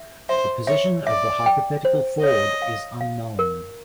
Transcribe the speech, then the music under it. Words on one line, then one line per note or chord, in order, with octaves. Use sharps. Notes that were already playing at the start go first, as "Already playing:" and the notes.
The position of the hypothetical ford is unknown.
Already playing: E5
C5 E5
C#5 E5
D5 E5
G5
C5
C#5 D#5
F5
F5
A#4